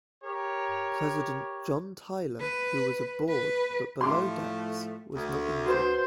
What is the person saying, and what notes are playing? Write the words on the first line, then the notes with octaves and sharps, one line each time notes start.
President John Tyler, who was aboard but below decks, was not injured.
G4 A#4 C#5
B4
B4
A2 F3 A3 C6 D6
D2
F#4 B4 C5